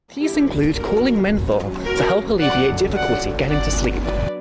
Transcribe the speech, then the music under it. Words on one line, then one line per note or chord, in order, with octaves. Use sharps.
These include cooling menthol to help alleviate difficulty getting to sleep.
D3 F#3 A#3 D4 E4 G4
F#4 A#4
F#3 C#4
F#4 A#4
D3 F#3 C#4 D5 F#5
D5 F#5
F#3 B3 D4 D5 F#5
B4 D5